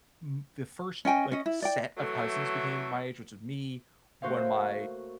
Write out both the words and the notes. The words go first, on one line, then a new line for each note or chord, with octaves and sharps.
n the first, like, set of cousins became my age, which was me, one of my
C#4 D#5 G5 G#5
C#4 D#5
E4
D5 G5
E3 F#3 A3
A3 A#3 F#4 C5 C#5 F5